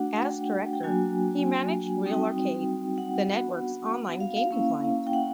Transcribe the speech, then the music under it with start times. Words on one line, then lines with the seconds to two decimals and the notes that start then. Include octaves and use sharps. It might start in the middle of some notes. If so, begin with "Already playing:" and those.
As director, he managed RealArcade, the network's online gaming client.
Already playing: A3 D4 F#4 F#5
0.22 G5
0.73 G5
0.83 F#3 A#3 D4 F#4 G#5
1.45 G#5
2.06 G3 C4 D#4 F#4 G5
2.98 F#5
3.28 B3 D4 F#4
4.20 F5
4.37 F5
4.51 A#3 C#4 E4 F5
5.07 G5
5.13 F#5